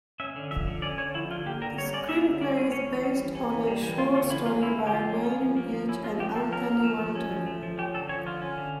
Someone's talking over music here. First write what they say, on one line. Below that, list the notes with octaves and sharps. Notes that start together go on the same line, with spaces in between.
The screenplay is based on a short story by Wayne Beach and Anthony Walton.
C#4 E5
D3
F3 E5
D3
C#4 D5
D3 C#5
F3 E4
D3 F4
A#3 G4
D3 A#4
G3 C#5
C#4 D5
A#3 E5
D3
G3 D5
C#4
C#4 C#5
E3
G3
E3
C#4
E3
G3
E3
A#3 F4
D3 F4
F3 E4
C#4 F4
A#3 E4
D3
G4
F3 F4
C#4
C#4
F3
A#3
F3
C#4 E4
F3 F4
A#3 G4
F3 A4
C#4 A#4
F3
A3
F3
C#4
F3
A3
F3
C#4 G4
D3 A4
F3 C#5
D3 F4
C#4
D3